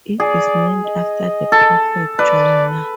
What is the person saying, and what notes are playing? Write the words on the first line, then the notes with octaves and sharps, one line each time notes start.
It is named after the prophet Jonah.
G#4 D5
D#5
A4
B4 D5